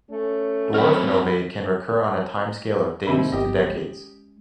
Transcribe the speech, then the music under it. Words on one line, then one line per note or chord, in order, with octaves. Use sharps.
Dwarf novae can recur on a timescale of days to decades.
A3 C#4
F#2 C4 F#4 B5 F6
D#2 C3 B5
G1 C4 G4 D#5
G#3 C#4